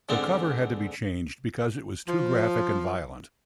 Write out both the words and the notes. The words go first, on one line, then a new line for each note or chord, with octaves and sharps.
The cover had to be changed because it was too graphic and violent.
G#2 D3 B3 C4 D4
F3